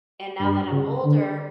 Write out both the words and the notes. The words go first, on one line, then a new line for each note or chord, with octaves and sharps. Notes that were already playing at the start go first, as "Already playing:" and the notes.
and now that I'm older,
G2
C#3
D3